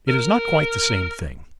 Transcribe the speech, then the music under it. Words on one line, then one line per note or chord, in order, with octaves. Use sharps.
It is not quite the same thing.
A#4